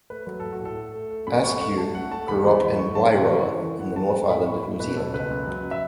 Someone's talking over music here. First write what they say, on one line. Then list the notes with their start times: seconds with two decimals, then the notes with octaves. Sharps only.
Askew grew up in Wairoa in the North Island of New Zealand.
0.10 A3 B4
0.26 F#3 B4
0.40 A3 A4
0.52 F#4
0.60 A2
0.65 A4
0.77 A3
0.94 A3
1.11 A3
1.27 F#2 B5
1.44 A3 C#6
1.61 A3 C#6
1.78 A3 A5
1.94 A3 F#5
2.11 A3 A5
2.28 E2 B5
2.44 E2
2.62 E2
2.79 A3 C#6
2.95 E2 A5
3.12 C#3 F#5
3.29 E2 C#6
3.46 E3
3.62 E3
3.79 F#2 F#5
3.96 A3 A5
4.12 A3
4.29 A2 B5
4.46 A2 C#6
4.63 A2 B5
4.80 B2 B4
4.96 B2 A4
5.14 C#2 B4
5.30 F#2
5.47 F#3
5.71 E5